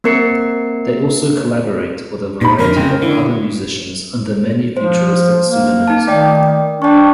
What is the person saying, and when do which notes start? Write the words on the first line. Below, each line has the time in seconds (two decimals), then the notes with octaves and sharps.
They also collaborate with a variety of other musicians under many futuristic pseudonyms.
0.04 A#3 C4 A#4 C7 C#7
2.41 A#2 D#4 B5
2.58 F2 D3 A#4
2.76 C#3 G#3 C4
3.02 D3 E4
4.77 F3 C5
5.44 A#3
5.88 D#4 A5
6.07 D#3 A3 D5 G5
6.82 D4 G5 C#6